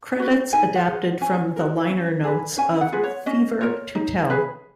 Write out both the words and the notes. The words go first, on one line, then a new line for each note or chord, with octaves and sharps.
Credits adapted from the liner notes of "Fever to Tell".
F#4 B4
D#4 G#5
F#5
G#4 B4
C#4 G#5
F#4 A#4
C#4
G#4 B4
C#4 G#5
F#5
F4 G#4 B4
C#5
C#4 D#5
F4 A#4 C#5
D#4
G#4 B4